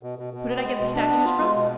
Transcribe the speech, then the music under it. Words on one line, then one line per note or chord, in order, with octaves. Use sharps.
Who did I get the statues from?
B2
B2
B2
B3
G#3
B2
D4
B3
F4
G#3
B2